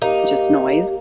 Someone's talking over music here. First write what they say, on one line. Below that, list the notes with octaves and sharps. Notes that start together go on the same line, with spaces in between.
just, noise,
A#3 D#4 G4